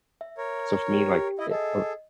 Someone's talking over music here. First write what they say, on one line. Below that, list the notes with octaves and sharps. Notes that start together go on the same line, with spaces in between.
So for me, like, yeah, uh
E5
A#4 C#5
G4
E4 D#5 E5
G#4 A4 D#5